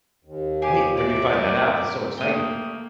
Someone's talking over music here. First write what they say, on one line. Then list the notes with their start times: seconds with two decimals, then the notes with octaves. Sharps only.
"Wait, where'd you find that out? It's so exciting."
0.24 D#2
0.62 G4 G#4
0.97 D5 E5 A#5
1.33 C4 A#4
2.18 A3 A#3 G5 D#6